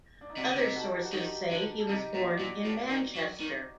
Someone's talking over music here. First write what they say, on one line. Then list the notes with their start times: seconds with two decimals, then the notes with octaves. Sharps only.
Other sources say he was born in Manchester.
0.21 D4
0.30 D#4
0.37 C3 D4 F#4
0.47 D3
0.56 C3 D#4 G4
0.76 F#4 A4
0.94 D#4 G4
1.05 F#4
1.13 D#3 D#4 G4
1.51 D3
1.80 A4
1.88 C3 D#4 G4
2.14 A#2
2.26 D4 F#4
2.39 A#2
2.65 A2
2.89 D#3
3.15 F#3
3.40 D#3